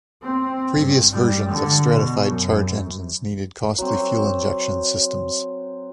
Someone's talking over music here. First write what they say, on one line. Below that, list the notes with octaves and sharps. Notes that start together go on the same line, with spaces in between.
Previous versions of stratified charge engines needed costly fuel injection systems.
C4
G2
G3
D3
B2
F#2
F#3 C4